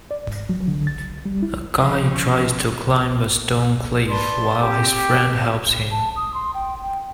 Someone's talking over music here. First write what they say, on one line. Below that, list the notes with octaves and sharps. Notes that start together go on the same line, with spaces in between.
A guy tries to climb a stone cliff while his friend helps him.
D5
G#2
F#3
D3
A6
G3
E4
F3 C#4
B4 D5 A5 B5 C6
C4 G4
A5
D#6
C6
G5
G5